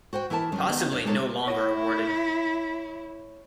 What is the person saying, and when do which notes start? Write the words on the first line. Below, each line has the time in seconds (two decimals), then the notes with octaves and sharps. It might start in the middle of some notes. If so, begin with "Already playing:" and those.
Possibly no longer awarded.
0.13 F#4 C5 F#5 G5
0.30 E3 E4 A#4 F#5 A5
0.52 D#3 F#3 G3 C#4 D#4
0.68 D#3 B3 D#4
0.91 F2 D4 C#5 D#5
1.05 G#3 D4 D#4 F4 A4 C#5
1.47 E4 C#5 C#6 A#6